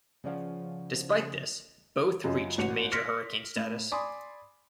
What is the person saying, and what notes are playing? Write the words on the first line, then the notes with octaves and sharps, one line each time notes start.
Despite this, both reached major hurricane status.
C#3 F3 C#4 D5 F#5
F#2 C#3 F4 D#5
A1 F#4 F#5 C#7 F7
C6 F6 A#6 B6 C#7 D7
A2
D5 G#5 B5 C6 D6 D#6